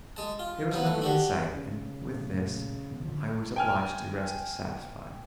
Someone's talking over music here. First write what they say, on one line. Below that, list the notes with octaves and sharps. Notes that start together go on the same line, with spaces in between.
There was nothing in sight, and with this I was obliged to rest satisfied.
G#3 A5
F4
F3 F#3 B3
A3
D4 F#4 G4
C#3
B1 A#2 A3
A#1 D#2 B2
D3 F3
G5 G#5 F6